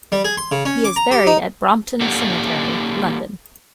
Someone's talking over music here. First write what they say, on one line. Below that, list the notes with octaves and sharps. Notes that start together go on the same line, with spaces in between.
He is buried at Brompton Cemetery, London.
G3
G#4
C6
C#3
C#4
D6
A#5
G4
D#4
A#3 D#4 G4 A4 D5 F#5